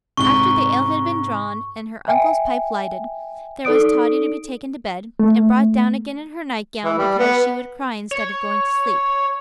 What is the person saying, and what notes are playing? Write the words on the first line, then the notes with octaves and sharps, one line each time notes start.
After the ale had been drawn and her uncle's pipe lighted, there was Totty to be taken to bed, and brought down again in her night-gown because she would cry instead of going to sleep.
G#2 C3 C#6 G7
E5 G5 G#5
D#4 A4 D5 D#6 D7
A3
E3
G3
B3
C#5